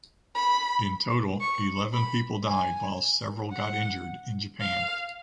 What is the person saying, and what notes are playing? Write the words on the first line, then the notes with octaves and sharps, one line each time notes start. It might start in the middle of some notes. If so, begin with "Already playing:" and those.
In total, eleven people died while several got injured in Japan.
B5
C#6
B5
G#5
F#5
F5